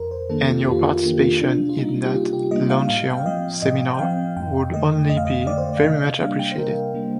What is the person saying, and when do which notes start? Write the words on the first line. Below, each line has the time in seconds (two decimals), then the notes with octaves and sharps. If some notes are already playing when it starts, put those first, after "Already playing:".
And your participation in that luncheon seminar would only be very much appreciated.
Already playing: F2 A#4
0.11 C5
0.30 D#3 A#3 D4 A4
0.49 F4
0.61 G4
0.67 F2 F4
0.84 G4
0.95 F4
1.04 D#3 A#3 D4 G4
1.19 F4
1.40 C3 D4
1.69 F4
1.77 G3 A#3 D4 D#4
2.05 G4
2.15 C3 F4
2.33 G4
2.51 G3 A#3 D4 D#5
2.69 F5
2.88 A2 F5
3.10 G5
3.17 F5
3.25 F3 C4 D#5
3.62 A2 D#5
3.94 G5
3.99 F3 C4 F5
4.36 F2 G5
4.73 D3 A3 D#5
5.09 F2 D#5
5.17 F5
5.25 D#5
5.47 D3 A3 D5
5.58 C5
5.69 D5
5.77 F5
5.83 C3 D#5
6.02 F5
6.20 G3 A#3 D4 F5
6.39 G5
6.52 C5
6.58 C3 A#4
6.94 G3 A#3 D4